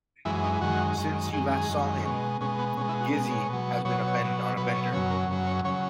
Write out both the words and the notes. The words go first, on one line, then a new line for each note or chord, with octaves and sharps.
Since you last saw him, Gussie has been on a bender.
F#2 E3 G#3 E4
D#4
F#2 D#3 G#3 F#4
F#2 D#3 G#3
F#2 D#3 G#3 G#4
G#4
F#2 D#3 G#3
B2 G#3 C#4
B2 G#3 C#4
B3
B2 G#3 C#4
E4
F#4
B2 G#3 A#4
C#5
B2 F#3
B2 F#3 C#5
C#5
B2 F#3
B2 F#3 B4
C#5
F#2 C#3 F#3 C#5
A#4
F#2 C#3 F#3
C#5
C#3 F#3 C#5